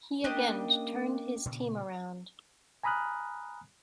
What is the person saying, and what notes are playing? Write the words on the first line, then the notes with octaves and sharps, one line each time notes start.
He again turned his team around.
A#3 C#4 D4 G4 D#5
A#2 C#3 B3
G#5 A#5 B5 D#6 F6 F#6